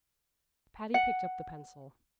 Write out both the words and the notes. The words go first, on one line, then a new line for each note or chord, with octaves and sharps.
Patty picked up the pencil.
F#5